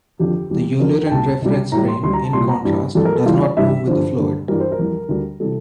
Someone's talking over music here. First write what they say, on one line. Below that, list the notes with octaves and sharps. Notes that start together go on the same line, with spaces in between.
The Eulerian reference frame, in contrast, does not move with the fluid.
F2 D3 F3 G4
E2 E3 G3 G4
F2 D3 F3 A#4
G5
C2 A#2 G3 A5
C2 C3 G3
A2 E3 G3 A#5
C6
D2 D3 G3 C6
A#5
A5
C2 A#2 G3 C6
A#5
G2 E3 G3
F2 E3 G3 A4
A#4
A4
E2 E3 G3 F4
D5
G2 E3 G3 E5
G2 D3 F3 C5
G2 D3 G3
G2 E3 G3 A#4
C5
A#4
F2 E3 G3
D2 D3 G3
C3 E3 G3 A4